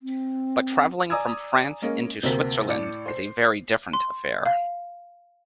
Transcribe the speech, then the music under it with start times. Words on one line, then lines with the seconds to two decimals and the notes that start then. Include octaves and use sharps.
But travelling from France into Switzerland is a very different affair.
0.01 C4
1.10 D5 G#5 A#5 D#6 E6 G#6
1.82 G#3 A#3 C#4
2.23 D2 C3 A#3 C4 A#4 B6
2.68 A2 D5 C#7
3.06 C5 C7
3.93 C6
4.46 F5